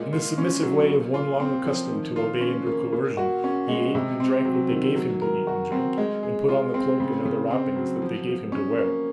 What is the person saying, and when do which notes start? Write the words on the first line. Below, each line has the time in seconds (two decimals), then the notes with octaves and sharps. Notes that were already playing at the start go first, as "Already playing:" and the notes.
In the submissive way of one long accustomed to obey under coercion, he ate and drank what they gave him to eat and drink, and put on the cloak and other wrappings, that they gave him to wear.
Already playing: A#2 G#3
0.13 F4
0.38 C#4
0.63 F#3
0.88 A#2
1.14 F4
1.40 C4
1.65 F3
1.91 D#3
2.16 F4
2.41 C#4
2.67 A#3
2.92 A#2
3.17 F#4
3.44 C#4
3.68 G#3
3.95 C3
4.20 C4
4.45 F#3
4.70 D#3
4.96 F#3
5.22 A#4
5.47 F#4
5.72 C4
5.98 G#3
6.23 G#4
6.49 F4
6.74 C4
7.00 C#3
7.25 C#3
7.51 C4
7.76 F#3
8.02 F3
8.27 F3
8.52 C#4
8.78 A#3